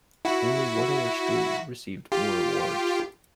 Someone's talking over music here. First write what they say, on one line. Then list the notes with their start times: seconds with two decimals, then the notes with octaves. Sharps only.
Only one other school received more awards.
0.25 E4 F#4
2.12 F4 G4